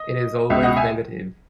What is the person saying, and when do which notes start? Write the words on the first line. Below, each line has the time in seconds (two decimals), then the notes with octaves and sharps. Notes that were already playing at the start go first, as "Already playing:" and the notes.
It is always negative.
Already playing: D#5
0.50 C#2 B2 E5
0.63 D#5 F#5
0.77 E5 G#5